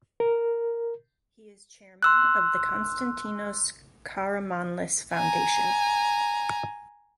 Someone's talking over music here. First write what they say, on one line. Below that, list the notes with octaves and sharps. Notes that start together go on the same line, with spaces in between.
He is chairman of the Konstantinos Karamanlis Foundation.
A#4
C6 E6 F#6
G#5 A#5